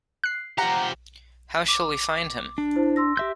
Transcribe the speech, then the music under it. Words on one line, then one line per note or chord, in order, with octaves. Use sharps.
How shall we find him?
F#6 C7
F3 G4 F#5 A#5
D6
D4
E4 C5
C6 E6 A#6
G4 E5 G6